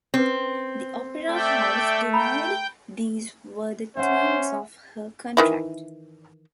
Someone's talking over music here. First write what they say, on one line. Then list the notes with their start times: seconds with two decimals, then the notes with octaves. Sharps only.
The opera house denied these were the terms of her contract.
0.14 C4 C#4 B4
1.29 A3 D5 E5 G5
2.13 G5 A#5 B5
3.97 C#4 C5 E5 F#5
5.37 D#3 E3 E4